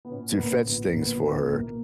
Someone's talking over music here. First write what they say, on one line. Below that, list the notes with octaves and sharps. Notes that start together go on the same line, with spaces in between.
to fetch things for her,
B3
A#2 C#4
A#3
A#1 B3
C#4
A#1 B3
A#3
A#1
B3
A#2 B3
A#3
B1
A#3